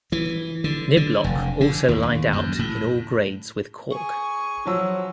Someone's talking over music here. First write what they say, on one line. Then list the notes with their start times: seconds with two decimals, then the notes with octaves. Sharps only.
Niblock also lined out in all grades with Cork.
0.12 E3
0.64 D3
0.97 D3
1.24 F1
1.60 D3
1.89 D#2
2.03 D#2
2.33 F#2
2.59 A2
3.90 G#4 C#6
4.66 F3 F#3 E6